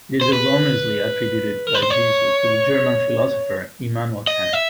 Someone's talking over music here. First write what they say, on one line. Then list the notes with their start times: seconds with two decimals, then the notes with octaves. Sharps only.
It is erroneously attributed by Jesus to the German philosopher Immanuel Kant.
0.21 C5
0.33 B4
1.67 A#4
1.75 B4
1.83 C5
1.90 C#5
4.27 D#5
4.53 E5